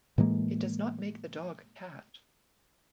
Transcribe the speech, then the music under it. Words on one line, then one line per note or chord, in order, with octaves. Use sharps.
It does not make the dog a cat.
A2 E3 G#3 A#3